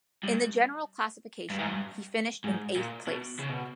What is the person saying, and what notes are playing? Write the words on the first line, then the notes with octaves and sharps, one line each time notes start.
In the general classification, he finished in eighth place.
G2
G2
G#2
G2
G#2
A#2
B2
C#3
B2